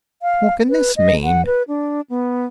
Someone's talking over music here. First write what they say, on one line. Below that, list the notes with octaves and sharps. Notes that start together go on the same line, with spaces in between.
"What can this mean?"
F5
B4
D#5
F#5
B4
D4
B3